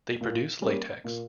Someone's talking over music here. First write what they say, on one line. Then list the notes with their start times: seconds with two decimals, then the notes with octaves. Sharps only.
They produce latex.
0.21 A#2
0.62 G3 A#3 C#4
1.04 A#2